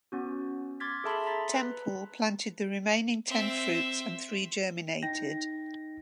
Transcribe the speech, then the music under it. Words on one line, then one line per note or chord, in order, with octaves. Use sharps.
Temple planted the remaining ten fruits and three germinated.
B3 C#4 F#4
C6 D6 F6 G#6 A6 B6
G#4 A4 E5 A5 B5 C6
A#5 C6 A6 B6
B4
C4 E5
D#4 G5 A#6